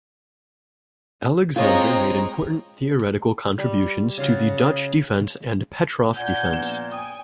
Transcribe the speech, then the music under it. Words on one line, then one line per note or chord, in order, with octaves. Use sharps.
Alexander made important theoretical contributions to the Dutch Defence and Petroff Defence.
G#3 C4 F4 C#5 D#5 A#5
G3
C#3 F4 F#4
D#5
A#2 F#5 G#5 G6 G#6
A#1 B3 E7
G5 G#5 C#6 D#6